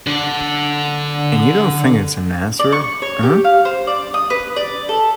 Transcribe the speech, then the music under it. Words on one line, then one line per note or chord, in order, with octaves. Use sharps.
And you don't think it's an answer, eh?
D3 D4
D5
C#6
C#5
G4
F5
C5
D5
D#6
B4
D5
A4